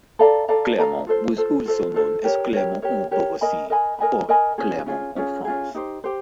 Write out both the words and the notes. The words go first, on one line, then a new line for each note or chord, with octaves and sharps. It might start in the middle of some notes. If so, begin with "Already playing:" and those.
Clermont was also known as Clermont-en-Beauvaisis or Clermont-en-France.
A4 D5 F5 A#5
A4 D5 F5 A#5
A4 D5 F5 A#5
F4 A4 C5
F4 A4 C5
F4 A4 C5
F4 A4 C5
G4 A#4 C#5
G4 A#4 C#5
G4 A#4 C#5
G4 A#4 C#5
A#4 D#5 G#5 B5
A#4 D#5 G#5 B5
A#4 D#5 G#5 B5
A#4 D#5 G#5 B5
C#4 F4 G#4
C#4 F4 G#4
C#4 F4 G#4
C#4 F4 G#4
D#4 G4 C5
G4 C5